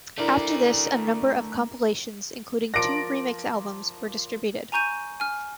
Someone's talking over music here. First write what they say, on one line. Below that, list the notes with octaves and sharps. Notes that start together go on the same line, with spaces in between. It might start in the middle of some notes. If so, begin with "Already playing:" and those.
After this, a number of compilations, including two remix albums, were distributed.
A3 D4 E4 A#4 D5
F3 A#4 D5 A#6 D7
G#5 A#5 C#6 G6 D#7
G#5 F6